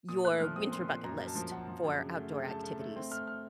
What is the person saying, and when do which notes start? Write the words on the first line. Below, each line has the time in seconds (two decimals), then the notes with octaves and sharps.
your winter bucket list for outdoor activities?
0.09 A#2 D#6
0.24 A3 F#6
0.40 F3 F6
0.56 C4 D#6
0.72 A#2 C6
0.88 A#2 C6
1.04 F#2 A#5
1.20 F#2
1.27 A5
1.35 F3
1.51 F#2 F#5
1.68 F3
1.84 F#2
2.00 C#3
2.15 A3
2.32 C#3
2.47 A3 A5
2.64 A3
2.80 A3
2.96 C4
3.11 A3 F6
3.27 F6